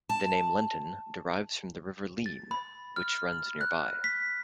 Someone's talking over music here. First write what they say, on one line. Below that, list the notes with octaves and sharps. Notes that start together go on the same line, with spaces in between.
The name "Lenton" derives from the River Leen, which runs nearby.
A5
A6
B5
F6
F#6
B6